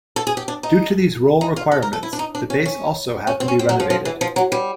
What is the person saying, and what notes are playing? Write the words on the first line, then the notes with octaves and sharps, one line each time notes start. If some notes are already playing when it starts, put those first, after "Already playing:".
Due to these role requirements, the base also had to be renovated.
A4
G#4
G4
D4
D#4
D#4
F4
A4
A#4
A4
E4
D4
D#4
D4
C#4
C#4
C#4
C4
C#4
C4
F#3
F3
F3
E3
F3
F#3
G3